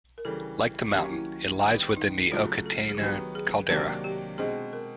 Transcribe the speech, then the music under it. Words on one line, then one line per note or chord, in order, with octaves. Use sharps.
Like the mountain, it lies within the Okataina caldera.
A#4
C#3 E3 G3 A4
D#3 F#3 A#3 C#4 G4
E4
D#3 G3 B3
D#4
C#3 F#3 A3 F4
A4
G#4
D#3 F#3 B3 G4
G#4
C3 D#3 F#3 A#3 D4 G4
G4
B2 G#3 C4 D#4 G#4
A#4